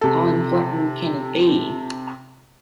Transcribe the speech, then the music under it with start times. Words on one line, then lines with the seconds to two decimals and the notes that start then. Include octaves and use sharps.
How Important Can It Be?
0.01 C3 A4